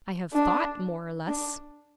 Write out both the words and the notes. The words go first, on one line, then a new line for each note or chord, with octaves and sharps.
'I have thought more or less.'
D4
D4